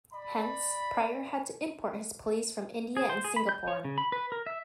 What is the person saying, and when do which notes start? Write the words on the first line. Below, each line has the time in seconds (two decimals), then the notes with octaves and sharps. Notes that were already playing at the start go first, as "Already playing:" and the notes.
Hence, Pryer had to import his police from India and Singapore.
0.14 D5 B5
2.97 G#4
3.09 C5
3.24 G#4
3.36 B5
3.49 G6
3.68 C#5
3.85 C#3
3.98 B5
4.12 B4
4.32 A#4
4.46 E5